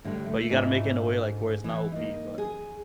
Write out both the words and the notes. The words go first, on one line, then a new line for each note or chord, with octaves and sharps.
But you gotta make it in a way, like, where it's not OP, but
A2 D3 G3
A3
G#2 A3 B3 D4 E4 F4
E3
A#3 D#4
G#4